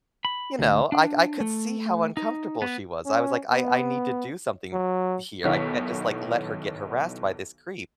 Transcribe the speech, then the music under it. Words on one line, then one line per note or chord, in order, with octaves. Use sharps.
you know, I I could see how uncomfortable she was. I was like, "I I need to do something here. I can't just, like, let her get harassed by this creep,"
B5
D2
D4
A3
D#4
B3
C#4
B3
F#3
B1 D#3 B3 E4 C#5 B6